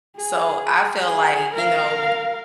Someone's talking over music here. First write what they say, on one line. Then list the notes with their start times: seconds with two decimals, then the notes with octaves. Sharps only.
So I felt like, you know,
0.17 G#4
1.00 G#4
1.55 A#4 F5